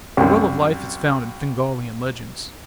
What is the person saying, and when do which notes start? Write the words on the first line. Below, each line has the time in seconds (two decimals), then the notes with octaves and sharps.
The Well of Life is found in Fingalian legends.
0.17 C2 F#2